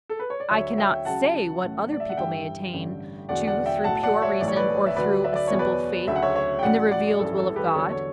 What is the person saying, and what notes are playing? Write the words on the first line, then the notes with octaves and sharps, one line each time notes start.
I cannot say what other people may attain to through pure reason or through a simple faith in the revealed will of God.
A4
B4
C#5
D5
D2 D3 F#3 C#5 E5
E5 G5
C#2 C#3 F#3 F#5 A5
A1 A2 F#3
D5
E5
F#5
G1 G2 E3 E5 G5
A1 G2 D3
E1 E2 D3 F#3 D5 F#5
D5 F#5
E5 G5
B1 A2 F#3 F#5 A5
D5 F#5
C#5 E5
B1 A2 E3 D5
C#5
B4 D5
E5
D2 D3 F#3 B4 D5
E5
D5
E2 B2 F#3 C#5
B4 D5
D2 C#3 F#3 E5
F#5
C#5 E5
C#5 E5
G5
A1 A2 F#3 D5 F#5
D5 F#5
A1 G2 E3 A4
A4
G4 B4
E2 D3 F#3 A4 C#5
C#5